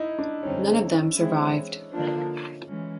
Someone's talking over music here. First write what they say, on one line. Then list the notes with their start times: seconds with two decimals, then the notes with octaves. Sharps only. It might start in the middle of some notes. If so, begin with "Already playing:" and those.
None of them survived.
Already playing: D#4 E4
0.19 D4
0.43 F#2 D3 G3 C4 C#4 D#4
1.18 E3 G#3 C4 E4
1.93 D3 F3 A#3 D4
2.67 E3 G#3 C#4